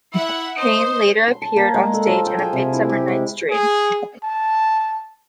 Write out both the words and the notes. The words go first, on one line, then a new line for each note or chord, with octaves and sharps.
Payne later appeared on stage in "A Midsummer Night's Dream".
E4 E5 F#5
D#4 C5
C6
A5
A#3
G#3
A4
F3
G5
G#4
C3
E4
G4
G#3
G#4
A5